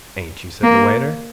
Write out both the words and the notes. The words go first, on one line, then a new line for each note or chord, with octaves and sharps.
'Ain't you?' said the waiter.
A#3